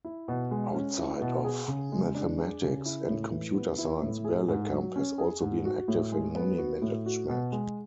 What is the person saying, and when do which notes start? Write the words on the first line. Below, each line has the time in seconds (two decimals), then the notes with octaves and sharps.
Outside of mathematics and computer science, Berlekamp has also been active in money management.
0.05 E4
0.28 B2
0.51 G#3
0.74 C#4
0.98 E4
1.22 B2
1.44 G#4
1.68 C#3
1.92 G#3
2.15 D4
2.39 G#4
2.62 C#3
2.86 E4
3.08 A2
3.32 E3
3.55 B3
3.78 E4
4.02 A2
4.24 G#4
4.48 G#2
4.72 F#3
4.96 C#4
5.18 G#4
5.41 G#2
5.65 F#4
5.88 A2
6.12 G#3
6.35 B3
6.58 F#4
6.82 A2
7.06 F#4
7.29 B2
7.52 G#3